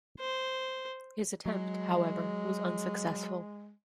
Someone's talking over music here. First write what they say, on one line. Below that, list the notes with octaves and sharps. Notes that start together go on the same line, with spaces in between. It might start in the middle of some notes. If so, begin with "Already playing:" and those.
His attempt, however, was unsuccessful.
C5
F#3 G#3